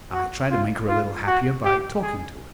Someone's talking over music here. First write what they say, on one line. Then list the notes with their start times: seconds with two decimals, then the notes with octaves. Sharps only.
I tried to make her a little happier by talking to her.
0.13 F#4
0.51 F4
0.89 F4
1.27 F#4
1.65 G4
2.03 G#4